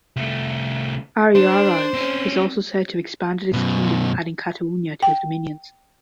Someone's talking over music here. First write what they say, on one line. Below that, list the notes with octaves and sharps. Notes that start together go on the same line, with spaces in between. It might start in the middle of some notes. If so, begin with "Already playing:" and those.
Ariarathes is also said to have expanded his kingdom adding Cataonia to his dominions.
C2 A3
D4 C5
C4 C#4
F#2 B2
G5